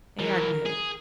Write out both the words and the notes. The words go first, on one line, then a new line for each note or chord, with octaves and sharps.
They are good.
E3 F#3 A#4
G#4